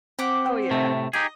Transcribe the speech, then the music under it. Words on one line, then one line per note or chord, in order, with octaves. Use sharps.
Oh, yeah.
C4 G4 F#5 D6
A2 C3 A3
D#4 G4 G#4 D#5